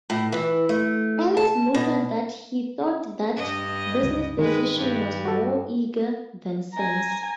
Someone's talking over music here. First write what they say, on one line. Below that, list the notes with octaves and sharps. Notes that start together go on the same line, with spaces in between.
Ellis noted that he thought that business decision was more "eager than sense".
A2
E3
A3
A5
B2
G2 D#5
C#2
D#3 G#3 B4
G2
F#4 A4
G#5 A#5